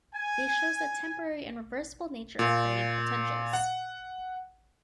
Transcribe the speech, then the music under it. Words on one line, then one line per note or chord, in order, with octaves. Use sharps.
This shows the temporary and reversible nature of graded potentials.
G#5
A#2
F#5